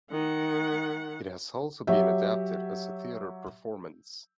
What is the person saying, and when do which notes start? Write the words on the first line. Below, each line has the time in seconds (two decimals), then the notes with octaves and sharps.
It has also been adapted as a theatre performance.
0.12 D#3 F#5
1.87 F#3 G4 E5